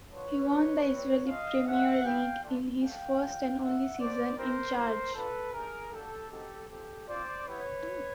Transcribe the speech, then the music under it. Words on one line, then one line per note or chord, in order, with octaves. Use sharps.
He won the Israeli Premier League in his first and only season in charge.
B3 D4 F4 B4 C#5
A#3 D4 F4
G3 C4 E4
A3 C#4 F4 D#5 F5
G#3 C#4 F4 E5 F#5
B3 E4 G4 F5 G5
A3 D4 F4
A3 D4 G4 F5 G5
G#3 C#4 F4
A3 C#4 F4 E5 F#5
A3 C4 D#4 F#4 C5 D5
C4 E4 G4 A#4 C5
B3 E4 G4 A#4 C5
A#3 D4 F4 A4 B4
A3 D4 G4 G#4 A#4
A#3 D4 F#4 G4 A4
G#3 C4 D#4 F#4 G4 A4
C4 F4 G4 A4
C4 F4 C5 D5
B3 E4 G4 B4 C#5